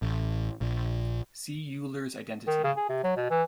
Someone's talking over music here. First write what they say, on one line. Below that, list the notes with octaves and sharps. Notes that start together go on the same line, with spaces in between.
See Euler's identity.
A1
A#1
D#3
C#3
G#4
C3
F#3
B2
E3